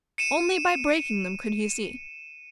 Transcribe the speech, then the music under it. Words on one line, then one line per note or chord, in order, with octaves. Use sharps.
Only by breaking them could he see.
C#7 D#7 E7